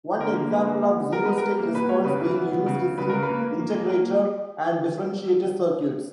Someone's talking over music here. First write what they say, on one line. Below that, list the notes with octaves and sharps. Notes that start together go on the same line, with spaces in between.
One example of zero state response being used is in integrator and differentiator circuits.
D3 A#4
A#3
D3 B4
A#3
B3
G3
B3 A#4
G3 B4
A#4
G3
A#3
B2 B4
G3 C#5
C#3 B4
E3 B4
B3
B3
C#3
F#3
C#3 B4
C#3 A#4
B4
A#3
A#3
A#3
A#3
A#3 A#4